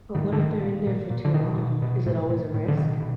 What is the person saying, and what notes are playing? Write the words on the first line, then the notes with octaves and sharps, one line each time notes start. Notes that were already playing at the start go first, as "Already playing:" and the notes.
But what if they're in there for too long? Is it always a risk?
A2 D#3
D3
A2 D#3
A#2
A#2
A#2
D3
B2 D#3
B2
B2
A2
A2
A2
D3
B2 D#3
B2